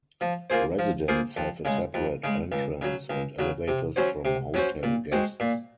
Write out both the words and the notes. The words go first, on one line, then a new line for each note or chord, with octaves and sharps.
Residents have a separate entrance and elevators from hotel guests.
F3
A#3 F4 G#4 C5
F3
A#3 F4 G#4 C5
F2
C#3 G#3
F2
C#3 G#3
C#2
C#3 F#3
C#2
C#3 F#3
C3
F#3 C#4 F#4 C5
C3
F#3 C#4 F#4 C5
A#2
G#3 C4 F#4 C5
A#2